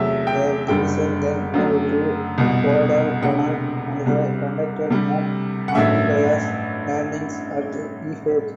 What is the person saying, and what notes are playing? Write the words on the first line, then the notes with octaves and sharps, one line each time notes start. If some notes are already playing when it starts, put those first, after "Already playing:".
The division then moved to Guadalcanal and conducted mock amphibious landings at Efate.
Already playing: E2 C3 F#3 A3 E5
G5
F#1 F#2 D3 G3 G5
F#2 D3 F#3 A3
C2 B2 G3
E1 D2 C3 F#5
C2 C3 G3
D2 C3 G3
F#5
A1 G2 F#3 A3 E5